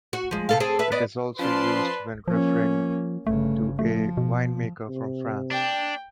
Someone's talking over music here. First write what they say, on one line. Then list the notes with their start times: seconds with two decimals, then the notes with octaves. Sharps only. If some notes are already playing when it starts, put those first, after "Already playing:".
It is also used when referring to a winemaker from France.
0.13 F#4
0.31 F3 G#3
0.49 C3 A4 F5
0.60 C4 G#4 A4
0.79 B4 E5
0.92 B3 D5 D#5
1.39 F3 C#4 B4 D5 A5 C6
2.28 F3 A#3 C#4
3.27 G1 C#3 A3
3.79 F3 A3
4.17 B2
4.89 C3
5.51 D4 G5